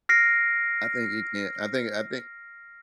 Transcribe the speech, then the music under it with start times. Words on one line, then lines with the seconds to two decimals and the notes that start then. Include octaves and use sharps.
I think it can I think I think,
0.09 F6 A#6 C7 D7